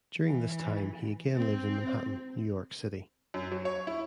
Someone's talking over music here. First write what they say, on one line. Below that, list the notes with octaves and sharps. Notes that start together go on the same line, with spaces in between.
During this time he again lived in Manhattan, New York City.
E3
C4
F#2
F#3
C#5
E4